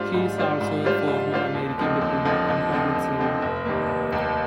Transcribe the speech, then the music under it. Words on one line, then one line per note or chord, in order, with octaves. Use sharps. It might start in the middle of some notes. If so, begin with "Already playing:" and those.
He is also a former American diplomat and public servant.
Already playing: G#2 G3 D4 F4 C5
G#2
G3 D4 F4 C5
G#2
G3 D4 F4 C5
G#2
G3 D4 F4 C5
D#2
D3 F3 C4 D#4
D#2
D3 F3 C4 D#4
D#2
D3 F3 C4 D#4
D#2
D3 F3 C4 D#4
F1
D#2 D#3 G3 A#3
F1
D#2 D#3 G3 A#3